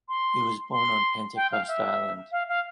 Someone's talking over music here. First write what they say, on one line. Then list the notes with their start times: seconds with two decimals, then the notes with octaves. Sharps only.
He was born on Pentecost Island.
0.09 C6
0.72 C6
1.36 G5
1.52 F5
1.68 E5
2.32 F5
2.48 F5